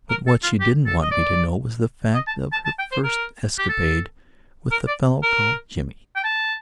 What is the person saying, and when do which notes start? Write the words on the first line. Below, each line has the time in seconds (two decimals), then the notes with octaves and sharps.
But what she didn't want me to know was the fact of her first escapade with the fellow called Jimmy.
0.10 A#4
0.27 A4
0.43 F4
0.60 G4
0.87 A4
1.01 D#5
1.11 D5
2.14 D#5
2.27 A5
2.52 A5
2.65 A5
2.79 G5
2.92 C5
3.04 A#4
3.58 G4
3.69 A4
4.71 A#4
4.87 D5
5.23 A#4
6.16 G5
6.24 A5